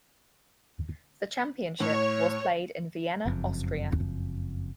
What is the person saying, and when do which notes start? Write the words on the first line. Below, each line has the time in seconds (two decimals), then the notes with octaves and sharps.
The Championship was played in Vienna, Austria.
1.80 A2 C#5
3.26 F#1 F2